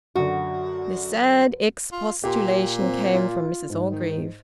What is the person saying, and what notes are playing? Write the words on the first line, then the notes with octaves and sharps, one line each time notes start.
This sad expostulation came from Mrs Orgreave.
F#2 D3 F#4
F4
A#2 G4 C6
C4
F4
G#2
D#3